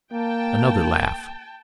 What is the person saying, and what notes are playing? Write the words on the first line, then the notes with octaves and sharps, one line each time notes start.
Another laugh.
A#3 G5 A5